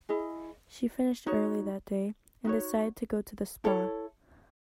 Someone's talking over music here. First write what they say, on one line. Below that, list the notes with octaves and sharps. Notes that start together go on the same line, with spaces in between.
She finished early that day, and decided to go to the spa.
E4 G#4 D#5
D#4 F#4 C#5
D#4 F#4 C#5
E4 A4 C#5